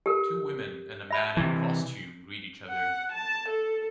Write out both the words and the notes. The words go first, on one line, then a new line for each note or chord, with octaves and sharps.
Two women and a man in costume greet each other.
G4 A4 A#4
E5 B5
C3 E3
F#5
A5
A4